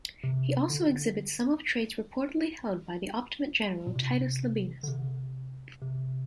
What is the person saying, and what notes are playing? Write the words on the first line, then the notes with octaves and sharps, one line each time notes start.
He also exhibits some of traits reportedly held by the Optimate general Titus Labienus.
C3
D3
A#2
C3
D3
C3
C3